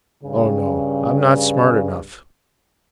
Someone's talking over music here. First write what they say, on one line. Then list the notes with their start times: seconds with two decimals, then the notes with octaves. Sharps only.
"Oh, no, I 'm not smart enough."
0.24 G2 C#3